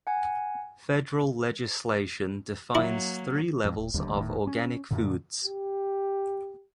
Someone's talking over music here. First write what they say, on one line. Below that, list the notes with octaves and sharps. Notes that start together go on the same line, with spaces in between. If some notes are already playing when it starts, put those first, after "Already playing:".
Federal legislation defines three levels of organic foods.
F#5 G#5
F#3 A#3 E4
F2 A2
D#1
D1 D#2 D3 G3
D#1 A2 D#3
C#4
F#2 A#2 D3
G4